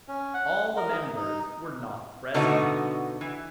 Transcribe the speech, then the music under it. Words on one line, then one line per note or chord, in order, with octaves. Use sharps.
All the members were not present.
C#4
F#5
A#4
D#4
D#4
B2 D3 A3 B3 D#4 F#4
E3